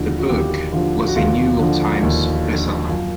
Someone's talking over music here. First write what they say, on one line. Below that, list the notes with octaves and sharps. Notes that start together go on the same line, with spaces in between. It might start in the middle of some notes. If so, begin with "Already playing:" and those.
The book was a "New York Times" bestseller.
Already playing: D#2 D3 F3 E4 F#4
F#4
D#2 F4 G4
D3 F3 F4
F#4
D#2 F4
D3 F3
D#2
D3 F3
F#2 F4